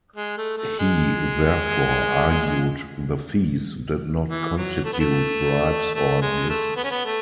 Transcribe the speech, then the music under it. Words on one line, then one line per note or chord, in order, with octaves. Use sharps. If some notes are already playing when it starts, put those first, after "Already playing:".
He therefore argued the "fees" did not constitute "bribes" or "gifts".
G#3
A3
A3
G#3
E3
F#3
A3
B3
A3
A3
G#3
A3
B3
C#4
B3
A3